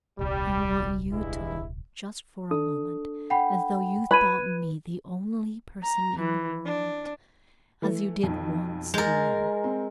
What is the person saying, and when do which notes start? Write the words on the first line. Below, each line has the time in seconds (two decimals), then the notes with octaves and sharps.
"I want you to look just for a moment as though you thought me the only person in the world--as you did once, you know."
0.19 D#1 C2 G3
1.11 G2 G#3 E4
2.51 D4 A4 D#6
3.30 F#5 G5 B5
4.11 B4 B5 F#6 G#6 D#7
5.83 A#5
6.20 E3
6.65 D4
7.82 E3 A3
8.23 B1 F2
8.94 G#3 A#4 G6 A6
9.64 C4